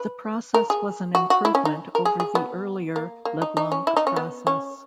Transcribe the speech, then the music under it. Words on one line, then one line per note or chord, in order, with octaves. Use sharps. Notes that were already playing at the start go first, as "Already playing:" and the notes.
The process was an improvement over the earlier Leblanc process.
Already playing: B4
A#4
G#4
F#4
F#4
E4
C#4
D#4
A#4
G#4
G#4
B3
A#3
A#3
D#4
D#4
C#4
E4
D#4
C#4
B3
C#4